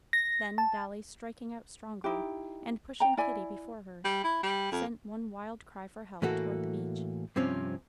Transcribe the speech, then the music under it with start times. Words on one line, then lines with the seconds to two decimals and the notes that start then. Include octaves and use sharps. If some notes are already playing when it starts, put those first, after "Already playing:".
Then Dolly, striking out strongly, and pushing Kitty before her, sent one wild cry for help toward the beach.
0.13 A#6
0.58 A5
2.04 D#4 E4 G4
3.00 G5 A#5
3.17 E4 D5 G#5
4.05 G3
4.24 E4
4.43 G3
4.72 F2
6.22 A2 E3 A#3 F#4 A4
7.36 G2 C3 F3 C4 C#4